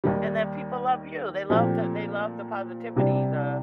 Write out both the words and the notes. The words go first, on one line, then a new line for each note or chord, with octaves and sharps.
And then people love you. They love the they love the positivity, the
D#2 D#3 G3
A#2 F3 A3 C4 G4
C2 C3 G3 D4